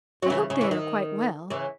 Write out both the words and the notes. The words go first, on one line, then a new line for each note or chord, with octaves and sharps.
I hope they are quite well.
F#3
C#3 E3
C#3
E3
D#3
C#3 E3